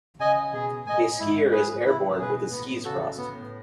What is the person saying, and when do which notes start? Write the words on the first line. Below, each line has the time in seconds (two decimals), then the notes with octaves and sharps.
A skier is airborne with his skis crossed.
0.19 C#3 D#5 G#5
0.53 B2 G#4
0.86 A2 D#5 G#5
1.19 G#2 E4
1.52 A2 G#4 B4
1.85 C#3 E4
2.19 B2 G#4 B4
2.51 A2 B3
2.85 C#3 F#4 A4
3.17 A2 B3